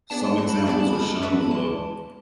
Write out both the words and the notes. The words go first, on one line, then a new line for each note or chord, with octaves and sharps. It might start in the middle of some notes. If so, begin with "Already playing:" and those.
Some examples are shown below.
B3 D4 G#4 D5 A5
F#3 A5
B5
A5
B3 D4 G#4 D5 B5
A5
G#3 B5
A5
D4 F#4 B4 E5
B5
G#3 A5